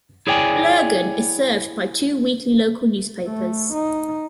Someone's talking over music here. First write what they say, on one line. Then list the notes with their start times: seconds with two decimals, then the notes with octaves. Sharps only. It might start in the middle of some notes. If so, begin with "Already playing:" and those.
Lurgan is served by two weekly local newspapers.
0.27 E4 G#4 C#5 D5 G5 G#5
3.26 A3
3.74 D#4